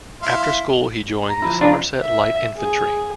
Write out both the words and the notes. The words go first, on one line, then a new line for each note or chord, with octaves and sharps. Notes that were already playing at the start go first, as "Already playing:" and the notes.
After school he joined the Somerset Light Infantry.
E4 F5 C6
A#5
F3 E4
D4 F4 A#5
E5
G#4